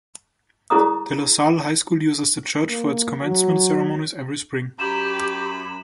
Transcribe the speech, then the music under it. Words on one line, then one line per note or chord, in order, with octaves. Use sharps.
DeLaSalle High School uses the church for its commencement ceremonies every spring.
E4 G#4 C#5 D5 A#5 D#6
A#3
F#3
F#2 G4 A#5 B5 E7